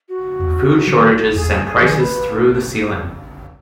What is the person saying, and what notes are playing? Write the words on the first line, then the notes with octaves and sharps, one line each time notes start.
Food shortages sent prices through the ceiling.
F#4
E2
D#3 F#3
E2 G#4
G#4
D#3 F#3
B4